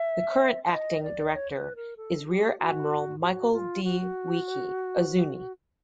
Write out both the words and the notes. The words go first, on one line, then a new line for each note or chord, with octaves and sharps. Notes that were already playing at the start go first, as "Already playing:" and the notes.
The current Acting-Director is Rear Admiral Michael D. Weahkee, a Zuni.
Already playing: E5
D#5
D5
C#5
C5
B4
A#4
A4
G4
F#4
F#4
F4
F#4